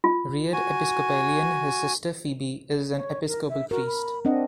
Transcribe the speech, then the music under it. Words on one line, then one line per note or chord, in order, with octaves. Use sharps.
Reared Episcopalian, his sister Phoebe is an Episcopal priest.
F4
F#4 G#5
C#5
A#4
E5
F#4 A#4
B5
C4 D4 D#5 F#5